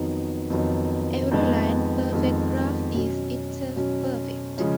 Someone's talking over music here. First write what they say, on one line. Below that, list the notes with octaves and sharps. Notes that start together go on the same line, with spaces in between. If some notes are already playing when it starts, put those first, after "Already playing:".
Every line perfect graph is itself perfect.
Already playing: F2 D#3 F#3 B3 D#4
F2 D#3 F#3 B3 D#4
F2 D#3 G#3 B3
F2 D#3 G#3 B3
B2 F#3 C#4
B2 F#3 C#4
C#3 F3 G#3 C#4